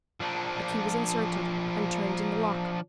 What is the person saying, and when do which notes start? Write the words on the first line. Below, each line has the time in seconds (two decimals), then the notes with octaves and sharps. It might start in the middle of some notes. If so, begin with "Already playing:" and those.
A key was inserted and turned in the lock.
0.20 F3 D4